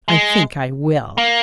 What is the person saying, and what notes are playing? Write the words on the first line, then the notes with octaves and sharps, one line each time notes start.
I think I will.
G#3
A#3